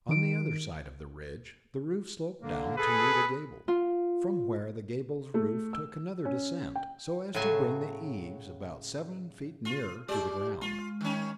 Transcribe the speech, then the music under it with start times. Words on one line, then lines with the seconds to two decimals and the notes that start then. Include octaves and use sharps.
On the other side of the ridge, the roof sloped down to meet a gable, from where the gable's roof took another descent, so as to bring the eaves about seven feet nearer to the ground.
0.09 D#3 D7
2.42 D3 A#3
2.77 G#4 A4 B4
3.68 F4
5.34 A3
5.73 E6
6.25 C#4
6.76 G5
7.35 A2 C#3 F#3 G#5 A5
9.65 F4
10.08 G#3 G4 D5
10.61 G#3 F4
11.01 D#3 C#4